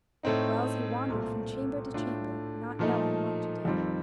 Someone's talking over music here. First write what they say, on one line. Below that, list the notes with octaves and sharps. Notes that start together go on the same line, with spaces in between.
Whiles he wandered from chamber to chamber, not knowing what to do.
A2 A3 C4 D#4
C2 A#2 A3 C4 F4
A2 A3 D4 F4
A#2 F3 A3 D#4
F2 D#3 G3 C4 F4